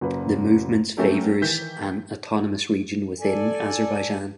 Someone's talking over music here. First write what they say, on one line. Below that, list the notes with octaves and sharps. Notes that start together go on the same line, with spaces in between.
The movements favors an autonomous region within Azerbaijan.
F#1 F#2 B4
F#3 A3 C#4 G4 A4 A#4
D#3 E3 G6 B6
A4 D5 G#5